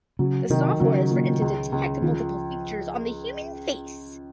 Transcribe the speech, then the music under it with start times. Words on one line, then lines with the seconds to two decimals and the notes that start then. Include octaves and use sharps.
The software is written to detect multiple features on the human face.
0.19 C#3 F#3
0.50 C3 D#3
0.80 C#3 F#3
1.11 A#2
1.42 C#2
1.72 C#2
2.02 D#3 F3